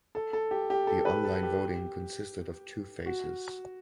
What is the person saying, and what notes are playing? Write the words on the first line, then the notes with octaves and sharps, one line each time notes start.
The online voting consisted of two phases.
A4
A4
G4
G4
A4
B4
A4
G4
F#4